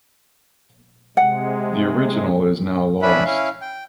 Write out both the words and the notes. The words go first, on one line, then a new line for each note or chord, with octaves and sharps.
The original is now lost.
C3 G#3 F#5
C#4 D4 E4 B4 E5 B5
C#4 E4 F5
G5